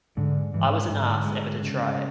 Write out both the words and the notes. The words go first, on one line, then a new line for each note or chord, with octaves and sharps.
I was an ass ever to try it.
G#2 D3
G#2 E3
G#2 D3
D3 G#3
C#3